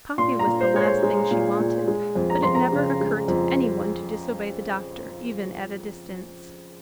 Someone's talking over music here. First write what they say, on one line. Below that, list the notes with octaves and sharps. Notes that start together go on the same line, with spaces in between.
Coffee was the last thing she wanted; but it never occurred to any one to disobey the doctor, even at a distance.
A#2 C6
A#5
A#2
C5
G#3 C#5
C5
G#3
A#2
A#2
G#3
F2
A#5
F2 C6
A#5
C#3
G#3
F2